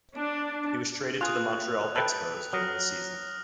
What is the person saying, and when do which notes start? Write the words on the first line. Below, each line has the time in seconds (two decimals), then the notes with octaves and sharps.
He was traded to the Montreal Expos during the season.
0.16 D4
1.21 F4 G#4 D#6 F#6 F7
1.96 A4 B4 G5
2.53 F#3 D#6 F6 A#6